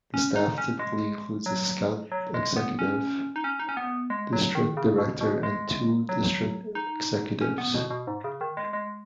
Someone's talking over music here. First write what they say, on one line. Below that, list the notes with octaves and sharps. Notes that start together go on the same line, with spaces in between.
The Staff typically includes a Scout Executive, District Director and two District Executives.
C#4
D#4
C#4
G#3
F#3
F#3
G#3
B3
C#4
D#4
C#4
D#4
C#4
B3
G#3
F#3
D#3
C#3
B2
B2
G#3
F#3
D#4
C#4
B3
B2
B2
G#2
C#3
D#3
G#3
G#3